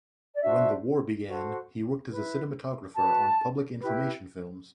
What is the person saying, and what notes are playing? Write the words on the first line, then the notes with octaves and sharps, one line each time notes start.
When the war began he worked as a cinematographer on public information films.
D5
D4 F#4 C5 E5
F#4 A4 C5
E4 B4
F#4 B4 A5
E4 G4 B4